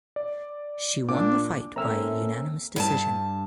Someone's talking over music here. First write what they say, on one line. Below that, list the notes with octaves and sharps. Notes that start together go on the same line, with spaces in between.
She won the fight by unanimous decision.
D5
A#2 D4 D6
A#3 C4 C#4 A4 E5 A#5 E6 F6
G2 A#4 A5